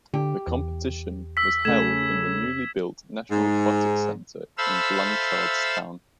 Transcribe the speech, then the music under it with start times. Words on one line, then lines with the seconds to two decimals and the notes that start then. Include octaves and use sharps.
The competition was held in the newly built National Aquatic Centre in Blanchardstown.
0.14 D3 G4
0.47 E2
1.37 E6 B6
1.65 C#3 A3 G#6 E7
3.31 G#2
4.58 A4 C5 E5 F5 B5 E6